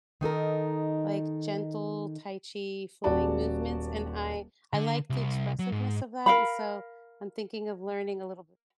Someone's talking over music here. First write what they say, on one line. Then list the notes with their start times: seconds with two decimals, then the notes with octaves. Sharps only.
like, gentle tai chi flowing movements, and I I like the expressiveness of that, and so I'm thinking of learning a little bit.
0.21 D#3 D#4 A4 A#4
3.04 D#1 F#4 D5 A5
4.73 D3
5.10 C2
5.59 F#3
5.72 G#2
6.26 A#4 F5 B5